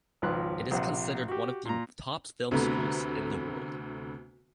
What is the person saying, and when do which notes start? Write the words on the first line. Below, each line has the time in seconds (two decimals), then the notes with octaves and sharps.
It is considered one of the top film schools in the world.
0.22 G#1 C#2 F3 B4 F#6
0.71 A#1 C3 F#5
1.28 F#4 G4
1.65 A#2 A#5
2.51 D2 C3 A3 B3 B4 A#5